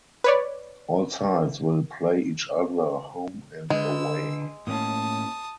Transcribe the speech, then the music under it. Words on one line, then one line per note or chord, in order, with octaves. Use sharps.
All sides will play each other home and away.
B4 C#5 D5
D3 G#3 B4 E6
A2 A#3 C#4 A5 D#6